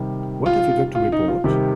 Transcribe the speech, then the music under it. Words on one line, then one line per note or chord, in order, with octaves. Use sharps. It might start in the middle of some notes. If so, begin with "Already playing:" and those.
What have you got to report?
Already playing: C3 D#3 G3
F4
F4
D#4
F4
C3 D#3 G3 G4